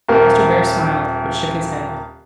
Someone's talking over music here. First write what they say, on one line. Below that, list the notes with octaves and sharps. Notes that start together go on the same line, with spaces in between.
Mr. Bhaer smiled, but shook his head.
D#1 A#3 A#4